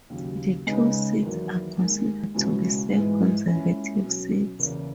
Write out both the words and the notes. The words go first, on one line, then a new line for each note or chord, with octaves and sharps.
The two seats are considered to be safe Conservative seats.
D#2 C#3 F#3
C#3 G#3 B3 D#4
E2 D#3 F#3 A#3 E4
D#2 D#3 G#3 D#4
C#2 B2 G#3 C#4 E4
G#2 E3 G#3 B3
A#2 G#3 C#4 E4
B2 F#3 C#4
E2 C#3 E3 A#3